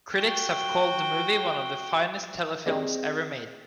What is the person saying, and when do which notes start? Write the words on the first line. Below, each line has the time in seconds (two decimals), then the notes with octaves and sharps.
Critics have called the movie one of the finest telefilms ever made.
0.16 F#4 G5
2.66 C4 G4 G#4 D5 D#5